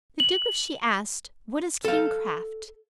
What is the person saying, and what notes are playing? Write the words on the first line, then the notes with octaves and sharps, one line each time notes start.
The Duke of She asked, What is kingcraft?
F#7
A4 F5